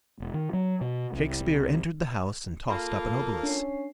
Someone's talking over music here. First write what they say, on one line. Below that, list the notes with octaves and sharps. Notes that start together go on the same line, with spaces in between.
Shakespeare entered the house and tossed up an obolus.
E1
D#3
F#3
B2
C2
A#3 F4 A4 B5
C#4 D4 C7